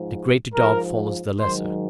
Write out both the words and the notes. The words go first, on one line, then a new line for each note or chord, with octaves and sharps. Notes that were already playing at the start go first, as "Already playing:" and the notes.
The Greater Dog follows the Lesser.
Already playing: G#2 F3
G#2 F3 A#4
G#2 D#3 F#3 C5